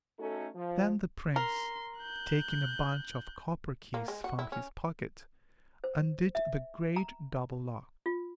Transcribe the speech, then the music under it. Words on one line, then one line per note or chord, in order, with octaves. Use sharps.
Then the Prince, taking a bunch of copper keys from his pocket, undid the great double locks.
A3 C#4 D#4 F#4 A4
F3
A#4 C6
F#6 G6
A#3
G#3
F#4
E4
C#4
C5
E5
A#5
F4